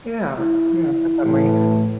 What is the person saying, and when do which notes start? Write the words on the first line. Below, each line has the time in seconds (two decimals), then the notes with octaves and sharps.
Yeah, yeah, definitely.
0.38 E4
1.23 A2 E3